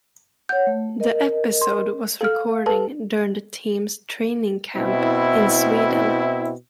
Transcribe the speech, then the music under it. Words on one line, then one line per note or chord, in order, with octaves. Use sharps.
The episode was recording during the team's training camp in Sweden.
C#5 F#5 G6
A3
A#4 D#5
C6
A4 F5 F6
A4 B4 A5
B2 C4 E4